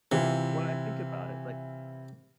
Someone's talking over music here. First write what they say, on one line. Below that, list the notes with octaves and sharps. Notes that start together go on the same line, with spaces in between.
when I think about it, like,
C3 E3 E4 F4